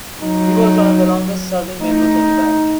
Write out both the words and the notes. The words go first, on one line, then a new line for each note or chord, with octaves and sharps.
He was one of the longest serving members of the band.
F#3 D#4
A3 D#4